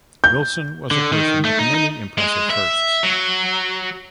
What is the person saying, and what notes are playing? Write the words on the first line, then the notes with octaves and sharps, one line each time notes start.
Wilson was a person of many impressive firsts.
G6
D3
D#3
A3
D#4
D#4
G#3
E5
F#3